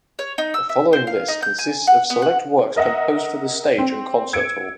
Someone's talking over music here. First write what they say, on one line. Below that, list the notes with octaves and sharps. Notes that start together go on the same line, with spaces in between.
The following list consists of select works composed for the stage and concert hall.
C#5
D#4
E6
E5
C5
F5
D#4
G6
G#5
F#5
B3
F#5
A#4 D#5 E5 F#5
C4
E6 G#6 C#7 D7